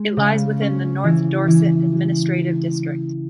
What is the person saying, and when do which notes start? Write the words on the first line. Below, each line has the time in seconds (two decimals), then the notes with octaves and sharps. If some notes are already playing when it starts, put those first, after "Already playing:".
It lies within the North Dorset administrative district.
Already playing: G#3
0.17 C#3
0.61 C#4
1.04 E3
1.48 E3